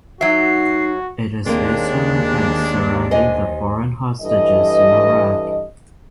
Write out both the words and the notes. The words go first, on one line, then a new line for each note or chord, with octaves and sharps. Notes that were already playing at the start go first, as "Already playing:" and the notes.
It is based on events surrounding the foreign hostages in Iraq.
F#3 D#4 F#4 E5 C7
D#2 G#3 A#3 C4 D4
C5 D#5 G#5
G2 E3 A4 D#5